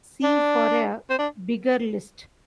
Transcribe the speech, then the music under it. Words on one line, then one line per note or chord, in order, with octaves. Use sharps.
See for a bigger list.
D4
C4
D4